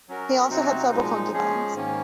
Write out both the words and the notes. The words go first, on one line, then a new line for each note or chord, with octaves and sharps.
He also had several concubines.
F#3 C#4 F#4 A#4
C3 F#3 C4 D#4 F#4
A#2 F3 G#3 D#4
F3 G#3 C#4 G#4
G#2 D#3 A#3 C#4